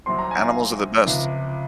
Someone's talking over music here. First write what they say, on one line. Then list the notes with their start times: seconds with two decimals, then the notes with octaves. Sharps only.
Animals are the best.
0.06 C2 C3 F#3 C4 C6
0.19 A#5
0.31 G#5
0.44 F5
1.05 C#2 C3 F3